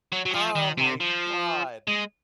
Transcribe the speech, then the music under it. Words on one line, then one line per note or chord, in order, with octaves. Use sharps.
Oh, my god,
F#3
F#3
F3
D#3
C3
F3
G#3